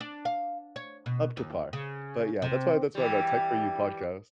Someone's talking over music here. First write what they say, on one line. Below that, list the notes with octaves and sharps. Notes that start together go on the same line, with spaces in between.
up to par, but, yeah, that's why that's why that Tech for You podcast
D4
F5
C#5
B2
D#2
C#3
C3
E3 G3